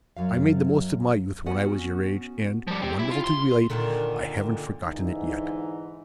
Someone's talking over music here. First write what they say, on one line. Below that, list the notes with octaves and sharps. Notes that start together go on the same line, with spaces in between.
I made the most of my youth when I was your age; and, wonderful to relate, I haven't forgotten it yet!
F#2 F#3 F5
B3 C#4 F#4 F#5 G#5
F3 G3
C4 G4
E4
F4
C6
A#2 D3 D#3
G#2 D3 E3 D#4